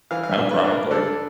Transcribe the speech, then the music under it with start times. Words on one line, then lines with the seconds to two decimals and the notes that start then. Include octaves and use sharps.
Oh, probably.
0.11 E3 F5
0.23 F5
0.31 E5
0.38 D4
0.51 B4
0.64 G2
0.71 A#4
0.91 D4 A4